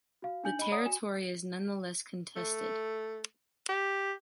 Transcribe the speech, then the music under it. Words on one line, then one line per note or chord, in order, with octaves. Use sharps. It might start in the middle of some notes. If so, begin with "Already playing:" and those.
The territory is nonetheless contested.
F#4 F5
D4 D#4 G#5 G6 F#7
D#5 B5
C#5 D5 F#5 A#5 D#6
F#4 G#5 E7
A3
G4